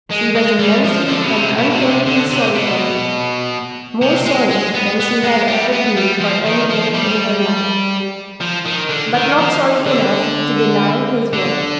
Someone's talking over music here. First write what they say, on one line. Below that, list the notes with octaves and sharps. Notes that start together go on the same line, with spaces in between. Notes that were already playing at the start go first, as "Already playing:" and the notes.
She was immensely and unfeignedly sorry for him--more sorry than she had ever been for any one in her life, but not sorry enough to deny his words.
G#3
G#3
G3
F3
D3
B2
C3
B2
B2
C3
D3
C3
B2
C3
G#3
G#3
B3
B3
G#3
G3
B3
G3
F3
D#3
F3
G3
F3
D#3
D3
D#3
F3
D3
D3